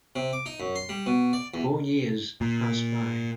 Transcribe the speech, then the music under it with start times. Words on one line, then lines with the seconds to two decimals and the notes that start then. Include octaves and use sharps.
Four years pass by.
0.16 C3
0.33 D6
0.46 D#4
0.60 F#2
0.76 C6
0.89 G3
1.06 B2
1.33 D5
1.54 E2
2.41 A#2